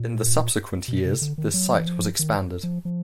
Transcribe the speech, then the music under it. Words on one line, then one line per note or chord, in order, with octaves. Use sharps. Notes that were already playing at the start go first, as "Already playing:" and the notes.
In the subsequent years this site was expanded.
Already playing: A#2
B2
C3
D3
D#3
F#3
E3
F3
D#3
F3
F3